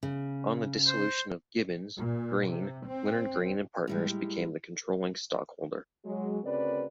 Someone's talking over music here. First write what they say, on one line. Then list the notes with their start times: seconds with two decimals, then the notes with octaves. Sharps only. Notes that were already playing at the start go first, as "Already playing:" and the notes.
On the dissolution of Gibbons, Green; Leonard Green and Partners became the controlling stockholder.
0.03 C#3
0.87 C5
1.97 A#2
2.49 C3
2.87 C4
3.87 A2 G3 G#3
6.05 F#3 G#3
6.44 D2 C#3 C4 A#4 B4 D5